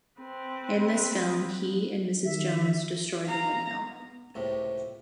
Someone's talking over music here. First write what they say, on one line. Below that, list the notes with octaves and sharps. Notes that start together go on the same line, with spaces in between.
In this film, he and Mrs. Jones destroy the windmill.
C4 B4
D#3 E5
F5 A#5
B3
C#2 A2 C3